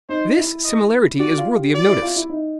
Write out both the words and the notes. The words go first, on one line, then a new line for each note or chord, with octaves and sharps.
This similarity is worthy of notice.
D#4 C5
E4
D#5
F#4 D5
F4
G4
F#4 D5
E4
F4
E4
D#4